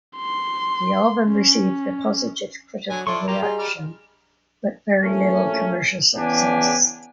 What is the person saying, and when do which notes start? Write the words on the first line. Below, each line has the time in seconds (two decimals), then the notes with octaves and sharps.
The album received a positive critical reaction but very little commercial success.
0.17 C6
1.27 C#4
2.90 D3 F#3 G#5
3.07 D4 E4 F4 A4 C6 C#6
3.28 G3 A#3 F4 G4 A#5
3.42 F4 G#4 D#5
3.59 G3 F6
5.03 A#1 F#3 A3 C#4
6.16 E2 C#3 B3 D4 G4 G#5